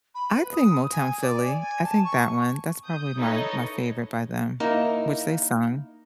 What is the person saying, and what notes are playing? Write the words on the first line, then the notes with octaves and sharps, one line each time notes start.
I think Motown Philly. I think that one. That's probably my my favorite by them, which they sung.
B5
B4
D#6
G#5
D5
G#5
G#5
A5
C#6
D#6 G6
D#4 E4 A4 B4 C#5 D#5
A#3 D#4 E4